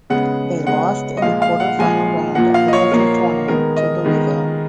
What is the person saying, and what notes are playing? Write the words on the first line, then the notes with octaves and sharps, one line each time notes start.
They lost in the quarterfinal round of the Metro Tournament to Louisville.
C#3 G#3 B3 F#5
C#3 G#3 B3 F#5
D#5
A#2 F3 G#3 F5
F5
F#5
A#2 F3 G#3 G#5
A#2 F3 A#3 F#5
F5
D#5
C#5
A#2 F3 A#3 A#4
D#3 G#3 B3 A#4
D#5
D#3 G#3 B3